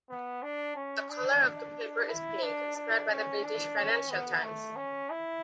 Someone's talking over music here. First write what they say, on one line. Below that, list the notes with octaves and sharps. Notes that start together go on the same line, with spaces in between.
The color of the paper is pink, inspired by the British "Financial Times".
B3
D4
C#4
D4
E4
D4
D4
C#4
D4
C#4
B3
A3
C#4
E4